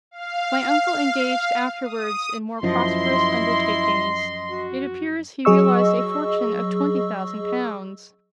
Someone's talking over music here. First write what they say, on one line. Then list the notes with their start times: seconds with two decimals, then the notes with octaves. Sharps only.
My uncle engaged afterwards in more prosperous undertakings: it appears he realised a fortune of twenty thousand pounds.
0.11 F5
1.83 D#6
2.63 F#2 F3 E4 D#5 C6
4.50 F#4
5.45 F#3 G#4 D#5 C#6 E6